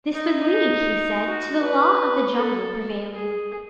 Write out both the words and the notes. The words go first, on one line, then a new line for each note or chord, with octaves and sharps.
This would lead, he said, to the law of the jungle prevailing.
D#4
F#4
B4
A4
G#4